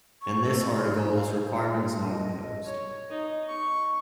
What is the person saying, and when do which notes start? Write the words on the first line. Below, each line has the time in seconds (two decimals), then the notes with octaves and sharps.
In this article this requirement is not imposed.
0.22 C#6
0.45 A4
0.69 C#5
0.87 D#4
1.14 F5
1.28 C5
1.56 E5
1.81 C6
1.95 A5
2.11 D#5
2.65 C#5
3.09 D#4
3.48 C#6